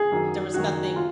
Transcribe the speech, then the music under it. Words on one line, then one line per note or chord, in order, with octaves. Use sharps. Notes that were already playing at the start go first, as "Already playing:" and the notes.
there was nothing,
Already playing: G#4
F#2 D#3 F#3
F#2 D#3 F#3 F#4
F4